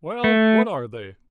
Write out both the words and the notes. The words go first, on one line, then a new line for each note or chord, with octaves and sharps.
"Well, what are they?"
A3